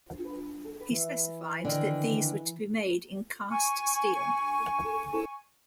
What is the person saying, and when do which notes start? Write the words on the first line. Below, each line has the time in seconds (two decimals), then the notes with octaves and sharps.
He specified that these were to be made in cast steel.
0.90 E3
1.65 D3 D#3
3.50 G#5 C#6